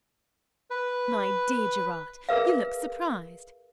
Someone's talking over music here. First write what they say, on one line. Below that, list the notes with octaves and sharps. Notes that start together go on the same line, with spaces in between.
My dear Gerard! you look surprised.
B4
G#4 A#4 B4 E5 F5